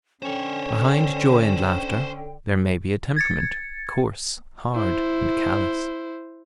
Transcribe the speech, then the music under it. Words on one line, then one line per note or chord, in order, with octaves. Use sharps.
Behind joy and laughter there may be a temperament, coarse, hard and callous.
D3 C#4 A4 C5 C#5 G5
G#6 A6 C#7
E4 C5